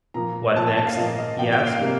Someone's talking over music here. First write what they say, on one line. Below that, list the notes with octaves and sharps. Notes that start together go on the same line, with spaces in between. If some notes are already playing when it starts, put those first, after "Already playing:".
"What next?" he asked.
A#2 F3 A#3 A#5
A#2 F3 A#3 A5
A5
A5
F5
A#2 F3 A#3 D#5
D#5
A#2 F3 A#3 G5
G5
F5
C3 G3 A#3